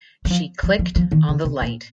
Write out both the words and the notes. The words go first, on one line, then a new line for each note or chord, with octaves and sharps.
She clicked on the light.
F#3
F3
F3
F3
F3
D#3
C#3
C3
A#2